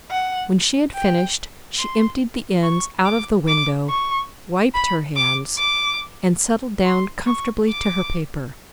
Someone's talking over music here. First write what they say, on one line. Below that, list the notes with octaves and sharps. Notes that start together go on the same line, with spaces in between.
When she had finished, she emptied the ends out of the window, wiped her hands, and settled down comfortably to her paper.
F#5
G5
C6
C#6
D6
D6
C#6
B5
D6
D6
C6
C#6
D6